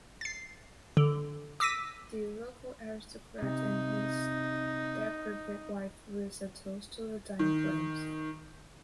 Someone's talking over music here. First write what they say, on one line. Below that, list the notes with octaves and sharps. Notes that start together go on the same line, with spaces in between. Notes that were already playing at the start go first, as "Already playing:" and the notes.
The local aristocrat and his decrepit wife raise a toast to the dying flames.
A6 C7
D3
D6 E6 A#6 B6 D#7
C3 D#4
D#3